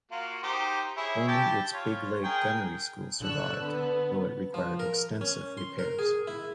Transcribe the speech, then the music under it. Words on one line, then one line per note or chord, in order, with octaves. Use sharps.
Only its Big Lake Gunnery School survived, though it required extensive repairs.
A#3 F4 F#4
D#4 G4 C5
E4 G#4 C#5
G4 G5 A5
F4 C#5
G#4 A#4 G5
D3 C#6 E6 F#6
B3
F3
A#4
C#4
C6
A#4
G#4
E4